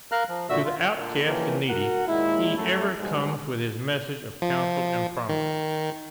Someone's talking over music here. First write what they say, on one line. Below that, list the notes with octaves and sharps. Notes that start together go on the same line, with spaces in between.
To the outcast and needy he ever comes with his message of counsel and promise.
A#4 F5 A#5 F6 F#6
F3
A#2 D3 F#4 E5 E6
F4
A#2 D3
E3 F3 A#3 C#4 G4 A#4
F#4 A#4 F#5
D#2 A#2 G#3 E4
F#2 A3
G#2 B2 G3 G#3
F3
D#3